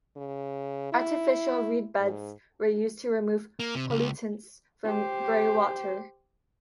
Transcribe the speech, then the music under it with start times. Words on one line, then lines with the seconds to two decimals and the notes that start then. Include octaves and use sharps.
Artificial reed beds are used to remove pollutants from grey water.
0.17 C#3
0.93 E4
1.99 G#2
3.59 A#3
3.75 C3
3.90 C#2
4.85 G4 C5